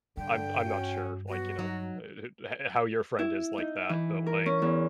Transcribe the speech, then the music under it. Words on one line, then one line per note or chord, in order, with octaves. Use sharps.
I'm I'm not sure, like, you know, e eh he eh how your friend is like that, but, like
G2 D3 G5
C#4 F#4
F#3 B3 F#4
F#3 D#4
E4
D#4
E3
A#4
C#4
E2